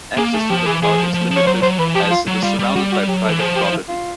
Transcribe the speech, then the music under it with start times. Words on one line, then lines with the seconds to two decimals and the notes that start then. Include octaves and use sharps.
Access to the park is limited as it is surrounded by private property.
0.17 A#3 G#4
0.33 A3 G#4
0.50 F3 G4
0.66 E3 G#4
0.82 E3 G#4
0.98 F3
1.14 F3
1.31 F3
1.37 C#5
1.47 F#3 C5
1.63 F#3 C5
1.78 E3 B4
1.95 F3 G4
2.11 F4
2.27 F#3
2.43 G3 F4
2.59 G3
2.75 G3 F#4
2.92 F#4
3.08 F#3 G4
3.24 A4
3.29 E3
3.40 F3 G#4
3.56 G4
3.72 E4
3.89 F4